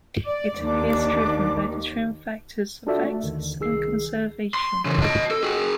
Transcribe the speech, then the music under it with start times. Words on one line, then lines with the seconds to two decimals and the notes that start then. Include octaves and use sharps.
It appears driven by the twin factors of access and conservation.
0.24 D5
0.62 D#2 D4 D6
2.87 D4 F4 F#4 A4 D5 E5
3.03 A3
3.23 D#2 D3 D#3
3.59 C2 D#3 G#4 E6 C7
4.54 C6
4.85 C#3 E3
5.02 D#5 A5
5.31 A4
5.43 F#4 G#4